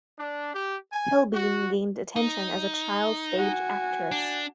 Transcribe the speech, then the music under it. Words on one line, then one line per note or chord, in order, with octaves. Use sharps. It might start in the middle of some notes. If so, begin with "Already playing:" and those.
Pilbeam gained attention as a child stage actress.
D4
G4
G#5
F#4
D#4
F#4 G#5
D4